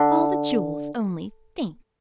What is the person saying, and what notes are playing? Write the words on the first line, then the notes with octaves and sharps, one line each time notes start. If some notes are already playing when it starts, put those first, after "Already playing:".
All the Jewels, only think!
Already playing: D3